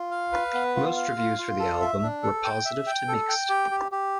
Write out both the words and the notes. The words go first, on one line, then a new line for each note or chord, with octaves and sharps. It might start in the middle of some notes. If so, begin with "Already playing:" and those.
Most reviews for the album were positive to mixed.
Already playing: F4
F5
B4
B3
F4
F5
F4
F4
A4
E5
D4
A4
G5
E5
G5
A4
G5
G4
G4
G4